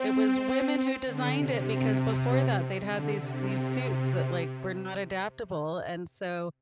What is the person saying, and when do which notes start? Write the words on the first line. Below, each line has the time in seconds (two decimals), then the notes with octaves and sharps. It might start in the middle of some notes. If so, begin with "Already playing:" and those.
It was women who designed it because before that they'd had these these suits that, like, were not adaptable and so
Already playing: C4
1.05 D3
1.35 C3
2.86 D3
3.17 C3